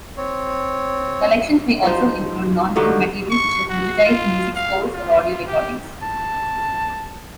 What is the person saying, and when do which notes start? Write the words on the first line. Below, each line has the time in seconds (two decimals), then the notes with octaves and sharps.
Collections may also include non-print materials, such as digitized music scores or audio recordings.
0.17 C4 C#5
1.83 F3 D#4 C5
2.76 G2 D3 F#3 D#4
3.30 C#6
3.70 F#4
4.05 F4
4.55 F5
4.94 F4
5.47 G4
6.02 A5